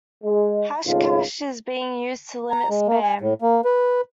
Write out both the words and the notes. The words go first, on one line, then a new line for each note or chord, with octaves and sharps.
Hashcash is being used to limit spam.
G#3
G#1 C#2 A2 C#3 F4
A#5
G#3
A#3
G#5
A2
A#3
B4